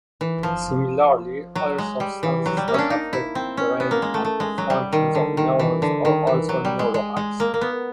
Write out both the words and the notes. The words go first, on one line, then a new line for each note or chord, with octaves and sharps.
Similarly, other substances that affect the brain and functions of neurons are also neurohacks.
E3
F3
F#3
G#3
G3
E3
F#3
G3
A#3
C#4 D4
D#4
E4
C4
C#4
B3
A#3
G#3
A3
A3
G#3
F#3
G3
D#3
D3
D#3
E3
D3
D#3
E3
F#3
G3
G#3
G#3
G#3
A#3
A#3
B3